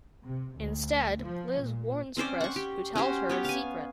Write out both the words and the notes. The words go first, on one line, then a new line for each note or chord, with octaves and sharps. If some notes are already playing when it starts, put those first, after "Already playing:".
Instead, Liz warns Cris, who tells her his secret.
C3
D2
F3
A#2
C4 C#4 C5 D5
F#5 C#6
G4
C#4 F#4 G4 C5
B3 G4 C#5
F5 G#5